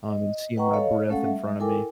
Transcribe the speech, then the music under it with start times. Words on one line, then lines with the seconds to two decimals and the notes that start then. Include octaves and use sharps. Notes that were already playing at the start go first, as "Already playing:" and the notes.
um, and seeing my breath in front of me.
0.08 D#5
0.56 B4 D#5 F#5 G5 A#5 C#6
0.74 A4 C#5 D#5 F5
1.09 G#3 A3 C#4 A4 F5 F#5
1.23 G3 E5
1.60 E4 A4 A#4 G5 G#5 D6